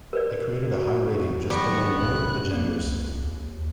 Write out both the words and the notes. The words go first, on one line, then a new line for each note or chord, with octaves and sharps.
It created a high rating just below War of the Genders.
A#4 B4 D5
F#4
D#3 F#3 G3 B3 C#6 A#6
C2 A#2 C#4 F#6
A#3
C#2
D#2